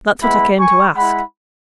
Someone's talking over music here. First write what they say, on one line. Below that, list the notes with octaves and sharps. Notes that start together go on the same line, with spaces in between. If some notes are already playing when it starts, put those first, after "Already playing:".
That's what I came to ask.'
G#3 B3 E4 F#5 B5
G#5 C#6
G#3 E4 F#5 B5